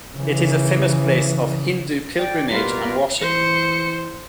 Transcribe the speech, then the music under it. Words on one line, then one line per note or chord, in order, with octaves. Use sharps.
It is a famous place of Hindu pilgrimage and worship.
C#3 E3
D5 G5
B2 G3 A#3 F4 A#4 B4
E3 C5 C#7